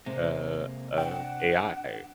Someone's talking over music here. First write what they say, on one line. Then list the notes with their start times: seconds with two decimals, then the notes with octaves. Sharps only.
uh, of AI.
0.06 C3 G#3 A#3
0.98 D4 F#5 G5